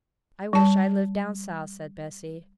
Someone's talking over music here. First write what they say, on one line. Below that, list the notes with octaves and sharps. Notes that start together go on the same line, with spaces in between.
'I wish I lived down South,' said Bessy.
G3 A5